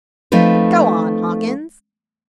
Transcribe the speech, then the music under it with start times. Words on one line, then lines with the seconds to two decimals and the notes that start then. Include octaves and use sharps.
"But go on, Hawkins."
0.32 F3 A3 C4 D#4 B4